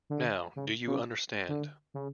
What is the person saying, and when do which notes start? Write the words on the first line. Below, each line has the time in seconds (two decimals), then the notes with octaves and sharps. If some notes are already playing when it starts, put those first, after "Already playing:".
Now, do you understand?
0.10 D3
0.56 C#3
0.87 C#3
1.49 D3
1.94 C#3